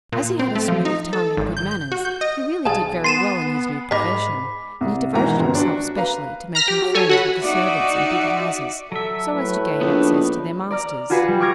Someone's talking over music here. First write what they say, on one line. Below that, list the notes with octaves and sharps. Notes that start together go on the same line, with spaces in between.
As he had a smooth tongue and good manners, he really did very well in his new profession, and he devoted himself specially to making friends with the servants in big houses, so as to gain access to their masters.
A#2
C4
A3
F3
D#4
A4
G#1
G6
G6
F#4
G6
D#5
B1 G#4 F5 G#5 A5 A6
B3 C6 A6 C7 D#7 E7
G#2 A#4 D#5 B5 D6 B6
C2
E2 G#2 B2 D#3 E3 A#5
G1 C#2
D4 F#4
B4 F5 A#5
A#5 F6 A#6 B6
G4
F#3
A4 C#5 G#5
F#4 F#5 B5
D#4 F#4 D5 E5
F#3 A4 E5
A2 B4
A#1 B3 D4 D#4
D5 A#5 F6
F4 F#4 G#4 B4 B6 C#7
G3
C#6 D6 F6 G#6 A#6